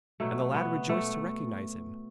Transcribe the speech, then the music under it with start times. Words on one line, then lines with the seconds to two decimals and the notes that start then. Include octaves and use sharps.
And the lad rejoiced to recognise him.
0.20 B2 F#3 A3
0.54 B3
0.89 A3